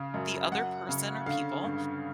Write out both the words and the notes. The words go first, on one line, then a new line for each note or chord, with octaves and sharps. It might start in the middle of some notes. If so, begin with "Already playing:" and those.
the other person, or people,
Already playing: C#3 F5
F#2
F#2 F#5
C#3
D3 F5
G2